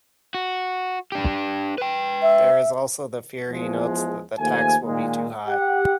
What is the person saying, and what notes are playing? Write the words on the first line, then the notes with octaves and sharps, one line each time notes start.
There is also the fear, he notes, that the tax will be too high.
F#4
D4 G4
B4 G5
E5
E2 F3 G#3
D#2 F3 A3 G#5
A#2 D#3 G#3
G4 F#5